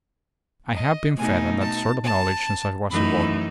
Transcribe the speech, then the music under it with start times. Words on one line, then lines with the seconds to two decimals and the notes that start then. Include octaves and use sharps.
I have been fed on that sort of knowledge since I was a boy.
0.73 D#5
1.16 B2 A3 D#4 G#5
1.59 A5
2.03 A5
2.90 F#2 E3 A3 D#4 B5